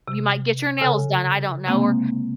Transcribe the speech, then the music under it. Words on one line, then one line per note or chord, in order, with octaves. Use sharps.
you might get your nails done, I don't know, or
C3
C#3 A4 G#5 E6
C3 G#3 A#3 C4